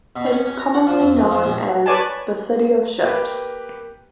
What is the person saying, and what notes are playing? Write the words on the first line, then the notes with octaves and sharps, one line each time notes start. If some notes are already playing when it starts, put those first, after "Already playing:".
It is commonly known as The City of Ships.
B2
C#4
C#4
A#5
F#5
F3
F2
F2
F3
A#1
B4 C#5 D5 G#5 A5
A#3 G4 B4